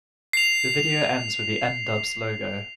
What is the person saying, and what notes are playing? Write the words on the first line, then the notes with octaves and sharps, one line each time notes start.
The video ends with the N-Dubz logo.
C7 F7